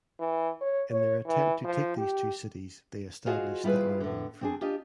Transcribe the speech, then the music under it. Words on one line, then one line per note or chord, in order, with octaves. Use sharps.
In their attempt to take these two cities they established the Aragon front.
E3
C#5
C#5
E3
F3
G4
F4 F#4 G#4 C5 D#5 F5
G3 E4 F4 G#4 B4
A2 D3
C4 D4 G#4
D4 F4 G4 D#5